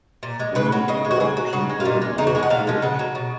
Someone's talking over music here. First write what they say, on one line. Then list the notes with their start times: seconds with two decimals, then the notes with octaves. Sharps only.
Three white people were killed.
0.23 A#2
0.40 G#3
0.55 C#3 B4
0.72 F#3
0.88 C#3 D#5
1.05 G#3
1.11 F#4
1.20 C#3 G#4
1.37 F#3
1.53 C#3 F#4
1.69 G#3
1.80 F4
1.85 A#2 D#4
2.01 G#3
2.18 C#3 D#4
2.27 F#4
2.35 G#3 G#4
2.39 F3 F#5
2.50 A#2 F5
2.67 F3 G#3
2.82 C#3 F#5
2.99 F#3
3.15 B2